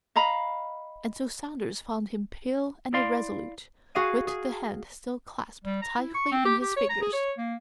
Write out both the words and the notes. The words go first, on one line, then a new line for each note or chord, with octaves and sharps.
And so Saunders found him pale and irresolute, with the hand still clasped tightly in his fingers.
D#5 F5 A#5 B5
E4 D5 F5 C6
F#4 G#4 F5 D#7
G#4
G3
A#5
E4
C#6
C4
G4
G4
C#5
A#5
G#4
C#5
A#3